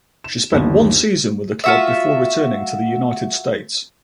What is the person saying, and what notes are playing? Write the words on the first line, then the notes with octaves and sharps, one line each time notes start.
She spent one season with the club before returning to the United States.
E7
G1 D#2
F4 F#4 E5